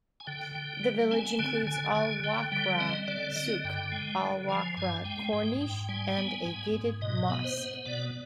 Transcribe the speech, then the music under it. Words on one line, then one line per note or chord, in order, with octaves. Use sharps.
The village includes Al Wakrah Souq, Al Wakrah Corniche and a gated mosque.
G#5
D3 G5
D3
G3
C4 G#5
D3 G#5
D3 G#5
D3 G#5
D3 G5
G3 G5
C4 D#5
D3 D5
D3 D#5
G2 G5
G#3
D3
F3 G#5
G2 G#5
G#3 G5
G#2 G5
G#2 G5
G3 G#5
B3
G#2
G#2
B2 D#5
B3
C5
B3
B2 D5